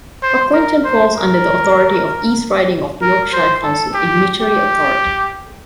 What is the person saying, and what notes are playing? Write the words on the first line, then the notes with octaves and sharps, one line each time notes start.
Pocklington falls under the authority of East Riding of Yorkshire Council, a unitary authority.
C5
A#4
C5
A#4
A#4
C5
A4
G4
G4